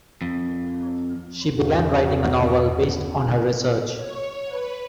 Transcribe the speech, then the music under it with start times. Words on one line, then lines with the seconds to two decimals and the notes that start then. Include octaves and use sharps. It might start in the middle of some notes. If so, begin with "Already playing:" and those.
She began writing a novel based on her research.
0.21 F2
1.55 E2 G2 F#4
3.96 C#5
4.47 B4